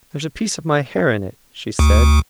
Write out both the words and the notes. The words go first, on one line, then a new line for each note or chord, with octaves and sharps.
"There's a piece of my hair in it," she said.
D2